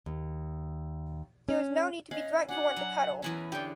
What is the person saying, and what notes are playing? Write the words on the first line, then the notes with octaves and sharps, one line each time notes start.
There is no need to be drunk to want to cuddle.
D#2
C#4
C#4 D#5 F5 F#5
D4 F#4 F#5 G#5
F#3
E2 E3 C#4 F#5 G#5 A5
E2 D3 G4 D5 G5